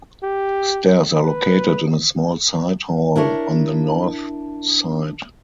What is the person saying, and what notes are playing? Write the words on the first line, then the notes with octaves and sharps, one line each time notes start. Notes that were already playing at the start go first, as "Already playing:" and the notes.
Stairs are located in a small side hall on the north side.
G4
B4
D4 E4 A#4 C#5